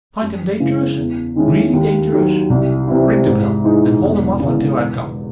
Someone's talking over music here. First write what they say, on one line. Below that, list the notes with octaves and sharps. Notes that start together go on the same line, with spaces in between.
If you find him dangerous--really dangerous--ring the bell and hold him off until I come.
F#2
C#3 E3 G#3 C#4
E2
D#3 G#3 C#4 E4
D#2
D#3 F#3
C2
C3 E3 C4 E4
G#2
E3 G#3 D#4
E1
E2 C#3
E1